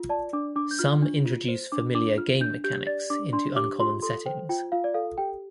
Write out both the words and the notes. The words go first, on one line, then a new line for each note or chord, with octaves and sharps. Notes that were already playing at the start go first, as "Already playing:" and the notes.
Some introduce familiar game mechanics into uncommon settings.
Already playing: F4
D5 A5
D4 D6
D4 D6
G6
F4 F6
D4
F4
C5
D4 D6
D4 D6
F4 F6
D4 G6
G4 G6
D5 A6
D4 D6
D4 C6
G4 D6
F4 C6
A4 C6
C5 G5
F4 G5
F4 F5
D5
A4 F5
G4 G5